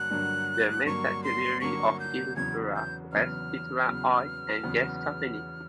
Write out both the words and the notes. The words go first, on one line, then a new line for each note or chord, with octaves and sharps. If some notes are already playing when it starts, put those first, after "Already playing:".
The main subsidiary of Itera was Itera Oil and Gas Company.
Already playing: G2 D3 F#3 A#3 F#6
G2 D3 F#3 A#3
G2 D3 F#3 A#3 C#6
C6
G2 D3 F#3 A#3 C#6
G6
E2 C#3 F#3 B3 G#6
G6
E2 C#3 F#3 B3 F6
E2 C#3 F#3 B3
E2 C#3 F#3 B3